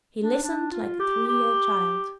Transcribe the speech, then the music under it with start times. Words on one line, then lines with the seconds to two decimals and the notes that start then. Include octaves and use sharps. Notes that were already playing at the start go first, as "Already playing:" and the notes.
"He listened like a three-year child."
0.21 D4
0.43 D4
0.71 F4
1.00 G4
1.27 G4